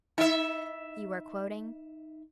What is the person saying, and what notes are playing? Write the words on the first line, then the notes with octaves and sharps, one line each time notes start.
"You are quoting?"
D#4 E5